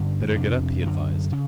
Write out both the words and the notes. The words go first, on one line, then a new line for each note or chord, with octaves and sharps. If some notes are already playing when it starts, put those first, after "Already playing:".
"Better get up," he advised.
Already playing: G2 D3 C#4
F2 C3 D4
F#2 D3
C#3